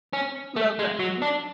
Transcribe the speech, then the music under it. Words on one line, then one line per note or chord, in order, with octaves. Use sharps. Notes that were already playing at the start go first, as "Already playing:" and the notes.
Love that. Mhm.
C#4
A3
G#3
F#3
D4